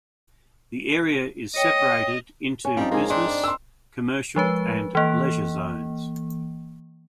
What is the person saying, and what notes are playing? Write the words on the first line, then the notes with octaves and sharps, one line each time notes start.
The area is separated into business, commercial and leisure zones.
C#5 D#5 G5
C#4 G#5
F3 G3 C4 C#4 D#4
G#2 A#3 G#4
C4 D4 D#4 C6
D5
C6 E6
F3 G#3 B4
E3 A#3